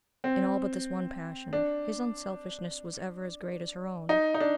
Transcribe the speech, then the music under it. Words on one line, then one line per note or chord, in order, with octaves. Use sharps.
In all but this one passion his unselfishness was ever as great as her own.
C4
D4
D#4
D#4
D4